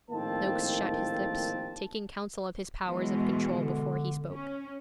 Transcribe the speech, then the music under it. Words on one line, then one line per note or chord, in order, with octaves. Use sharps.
Noakes shut his lips, taking counsel of his powers of control before he spoke.
A#1 A2 D#3 A#3 C4 A5
B2 E3 G#3
D3
C#4